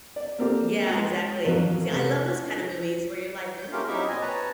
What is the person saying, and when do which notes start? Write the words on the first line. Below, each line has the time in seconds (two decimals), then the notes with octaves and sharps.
Yeah, exactly, see, I love those kind of movies where you're like, "What,
0.16 D5
0.38 A#3 C4 G4 A4
0.87 G#3 F#4 G5
1.44 A1 F2 F#3
1.88 C3 A3
3.59 G6
3.72 A3 A#3 C#4 F4 G4 A#4
3.88 F#3 C4 D#4 E4 G4 E5
4.08 A#2 C4 D#5 G#5
4.22 B4 C#5 A5 A#5